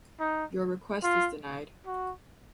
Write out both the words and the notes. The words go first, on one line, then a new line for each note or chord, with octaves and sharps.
Your request is denied.
D#4
F4
F#4